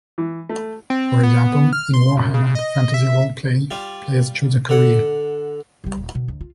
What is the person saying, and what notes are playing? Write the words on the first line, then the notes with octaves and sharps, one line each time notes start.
For example, in "Warhammer Fantasy Roleplay", players choose a career.
E3
A3
C4
B3
F6
C6
F#2
C#3
D#5
E5
G3 F4
D3 F#5
C2 G3
D#1
B2 D#3
D2
F4